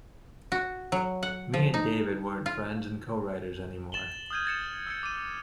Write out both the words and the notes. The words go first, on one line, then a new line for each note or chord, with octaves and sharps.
Me and David weren't friends and co-writers anymore.
F#4
F#3
F#5
F3
D#4
F4
A6 E7 F#7 G7
D#6 F6 G6 G#6 D#7
G#6 A6 C#7 E7
E6 G#6 C#7
D6 D#7